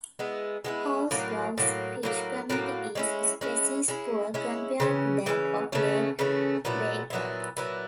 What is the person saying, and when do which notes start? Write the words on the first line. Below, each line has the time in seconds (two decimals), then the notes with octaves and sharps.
Hovsgol's fish community is species-poor compared to that of Lake Baikal.
0.19 G#3 B3 E4
0.64 G#3 B3 E4
1.11 A2 F#3 A#3
1.58 A2 F#3 A#3
2.03 A2 F#3 A#3
2.50 A2 F#3 A#3
2.95 G#3 C#4 E4
3.41 G#3 C#4 E4
3.88 G#3 C#4 E4
4.34 G#3 C#4 E4
4.80 C#3 E3 A3 C#4
5.26 C#3 E3 A3 C#4
5.72 C#3 E3 A3 C#4
6.19 C#3 E3 A3 C#4
6.65 A#2 F#3 B3 E4
7.10 A#2 F#3 B3 E4
7.57 A#2 F#3 B3 E4